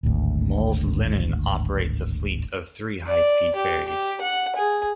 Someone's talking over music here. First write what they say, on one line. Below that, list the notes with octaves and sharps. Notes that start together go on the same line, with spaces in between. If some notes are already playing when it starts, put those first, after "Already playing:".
Mols-Linen operates a fleet of three high speed ferries.
D1 G#1 D2
D5
G4
G4
F#5
G#4